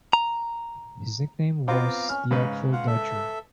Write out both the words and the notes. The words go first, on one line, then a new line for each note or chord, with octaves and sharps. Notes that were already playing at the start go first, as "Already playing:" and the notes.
His nickname was 'The Artful Dodger'.
A#5
B3 C4 F4 F5 A#5 D6
C#4 F6
G#2 C#3 B4 F5
F4 F5 F#5
A4 E5